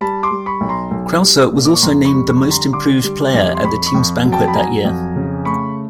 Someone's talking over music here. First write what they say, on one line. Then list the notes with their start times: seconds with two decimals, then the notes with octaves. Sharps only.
Krauser was also named the Most Improved Player at the team's banquet that year.
0.01 G3 A5 B5
0.23 C6 D6
0.31 G3
0.46 B5 C#6
0.61 B1
0.69 A#5 C6
0.91 B1
1.22 G3
1.52 A#2
1.65 D6
1.74 C#6
1.82 F2 A#5 C6
2.05 B5 C#6
2.13 G3
2.27 B5 C#6
2.43 D3
2.51 A#5 C6
2.73 D3 C6 D6
3.04 G3
3.34 F2
3.55 C6
3.64 F2 B5 C#6
3.86 B5 C#6
3.94 F2
4.25 F#3
4.32 G5 A5
4.48 B5
4.54 F#3 G#5 A#5
4.85 F2
5.16 C#3
5.45 A3 B5 C#6